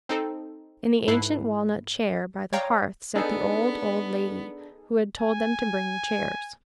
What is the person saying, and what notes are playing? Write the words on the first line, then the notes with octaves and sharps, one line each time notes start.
In the ancient walnut chair by the hearth sat the old, old lady who had told them to bring the chairs.
C4 D#4 A4 C5
G#2 E4 A4 B4 F#6 C7
C#5 D5 F5 G5 A#5
B3 D4 D#4 G#4 A4
G#5